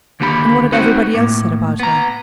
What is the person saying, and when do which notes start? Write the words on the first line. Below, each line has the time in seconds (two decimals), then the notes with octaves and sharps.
And what had everybody else said about her?
0.20 D#2 D3 A#3 G4 G5 B5
0.72 C4 D#4 F#4 B4 C5
1.14 A2 A#3
1.80 B3 A#5